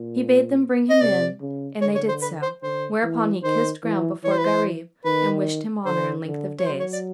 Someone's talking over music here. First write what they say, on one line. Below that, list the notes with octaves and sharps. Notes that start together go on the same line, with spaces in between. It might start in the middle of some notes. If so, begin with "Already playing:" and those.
He bade them bring him in and they did so, whereupon he kissed ground before Gharib and wished him honour and length of days.
Already playing: A#2
D#5
C3 D5
C#3
D3 C#5
C#5
C5
B4
C5
D3 C5
E3
D#3 C5
E3
E3 C#5
C5
B4
C5
D#3 B4
D3 C5
D3
C#5
F#3 C5
C#5
D5